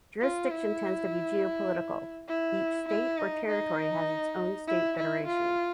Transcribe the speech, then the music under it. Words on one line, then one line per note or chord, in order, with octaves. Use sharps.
Jurisdiction tends to be geo-political: Each state or territory has its own state federation.
F4
E4
E4
E4
D#4
D#4
E4
E4
F4